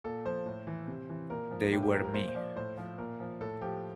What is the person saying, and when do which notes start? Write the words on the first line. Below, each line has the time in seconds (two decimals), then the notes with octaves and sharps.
They were me.
0.04 A#2 A4
0.25 F3 C5
0.46 A2
0.67 E3
0.88 C3
1.09 E3
1.30 A#2 A#4
1.51 F3
1.72 A2 G4
1.82 G4
1.94 F3 A#4
2.04 A#4
2.14 A#2 C5
2.28 C5
2.35 F3 D5
2.56 A2 C5
2.77 F3
2.98 A#2 A#4
3.20 F3
3.41 A2 A4
3.61 F3 G4